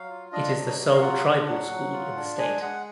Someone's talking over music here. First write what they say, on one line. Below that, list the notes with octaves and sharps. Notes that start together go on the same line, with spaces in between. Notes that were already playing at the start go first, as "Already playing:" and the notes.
It is the sole tribal school in the state.
Already playing: F#3 F5
F4
D4 D#5
F#3
D#5
F#3
F5
F4 F#5
D4
F#3
F#3
F4
D4
G#3 G#5
G#3 F#5